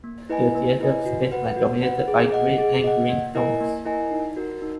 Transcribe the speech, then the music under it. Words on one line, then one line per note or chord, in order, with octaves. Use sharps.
The theatre space was dominated by grey and green tones.
A#3
E4 B4 D#5 G#5
A#3
E4 B4 D#5 G#5
F#4
B4 F#5
F#4
B4 F#5
G#4
D#5 F#5
G#4
D#5 F#5
A#3
E4 A#4 D#5 G#5
A#3
E4 A#4 D#5 G#5
D#4
F#4 A#4
D#4